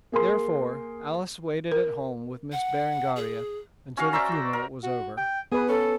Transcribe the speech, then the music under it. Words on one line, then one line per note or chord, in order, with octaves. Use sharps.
Therefore, Alice waited at home with Miss Berengaria until the funeral was over.
A#3 G#4 A#4 C6
A#4
F#5
G#4
C#4 F#4 F5
C5 D5 E5 A#5
F#4
A#4
F#4
G5
B3 G#4 B4
C#4 A4